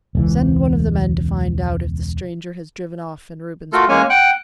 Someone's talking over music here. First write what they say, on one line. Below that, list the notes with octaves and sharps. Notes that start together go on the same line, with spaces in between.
"Send one of the men to find out if the stranger has driven off in Reuben's cart."
E1 C#2 E3
A3 F4 F#4 A4 A#4
G#3 A#3 C#4 C#5 G#5
F#5 G5 F#6